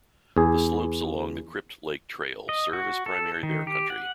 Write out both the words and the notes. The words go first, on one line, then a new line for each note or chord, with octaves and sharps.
The slopes along the Crypt Lake Trail serve as primary bear country.
E2 G#4
D#5
F#4
A4
D#3
G4
F#5